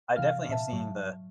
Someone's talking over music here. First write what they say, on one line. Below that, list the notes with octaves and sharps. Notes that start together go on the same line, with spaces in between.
I definitely have seen the
C3 E3 F5 F6
A#2 E5 A5
G#2 F#3